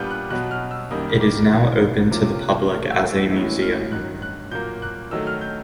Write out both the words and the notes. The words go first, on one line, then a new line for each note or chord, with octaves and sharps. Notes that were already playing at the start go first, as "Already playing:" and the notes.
It is now open to the public as a museum.
Already playing: A#2 G3 B3 D4 F4 G6
F#6
B2 F#3 B3 F#6
F6
E6
F#2 D#3 G3 A#3 D#6
D6
D3 F#3 B3 E4
C3 F3 A#3 C#4 F4 D6
F#6
A2 E3 A3 F6
E6
E6
A2 E3 G#3 B3 D#4 E6
F6
G2 D#3 F#3 F#6
F#6
A#2 F#3 A#3 G6
F#6
D#3 F#3 A3 E6
F6
G6